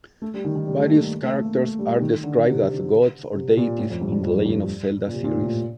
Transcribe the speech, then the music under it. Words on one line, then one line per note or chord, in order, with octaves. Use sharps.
Various characters are described as gods or deities in "The Legend of Zelda" series.
A3
G3
D#3
D#3
G3
A3
A#3
G3
A3
A3
A#3
A3
G3
D#3
D3
C3
C3
A#2
A2
F2
G2
G2
F2
G2
A#2
C3
A#2
A2
A#2